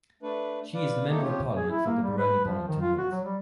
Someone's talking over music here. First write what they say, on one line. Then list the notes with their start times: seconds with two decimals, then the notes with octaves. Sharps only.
She is the Member of Parliament for Gaborone Bonnington North.
0.23 A3 D4 B4
0.74 B4 D5 F5
1.09 A3 A#3 D#4 G4 A4
1.21 C3 F3 F4 G4 C#5
1.56 G#4
1.70 E4
1.86 A#3
2.03 G3
2.18 B4
2.45 F3
2.67 D#3
2.81 F4
2.98 F#4
3.12 F#3
3.24 G3